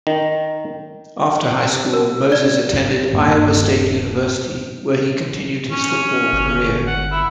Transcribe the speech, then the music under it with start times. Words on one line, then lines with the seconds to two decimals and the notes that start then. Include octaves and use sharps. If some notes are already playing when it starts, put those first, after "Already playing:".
After high school Moses attended Iowa State University where he continued his football career.
0.07 D#3
1.93 A#4
2.32 D5
3.11 D#1 G2 A#3
5.71 C#4
6.32 G1
6.86 F#5
7.11 E4